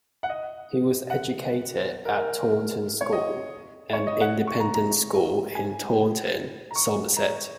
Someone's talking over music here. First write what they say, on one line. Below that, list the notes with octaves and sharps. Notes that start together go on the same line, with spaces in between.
He was educated at Taunton School, an independent school in Taunton, Somerset.
F#5
D#5
F#5
A#4
A#4
C#5
D#5
C#5
D#5
F#5
C#6
A#5
A#5
G#5
A#5
C#6
A#5